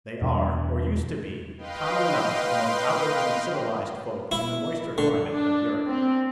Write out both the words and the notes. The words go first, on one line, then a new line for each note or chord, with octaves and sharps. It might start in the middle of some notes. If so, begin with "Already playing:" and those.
They are, or used to be, common enough among outwardly civilised folk in the moister climate of Europe.
E2 B2 G3 D4
B4 D#5 F5 G5 C6
E4
D3
D4
C4